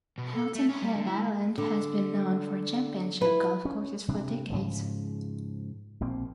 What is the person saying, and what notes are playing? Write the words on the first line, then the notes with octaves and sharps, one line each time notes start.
Hilton Head Island has been known for championship golf courses for decades.
B2
A4
A3
C#4
G3
D3
E4
G#3
D3
E4 B4
C#4
C3 G3 D4
G#2 C#3 F3
A#1 B2 A#3 C4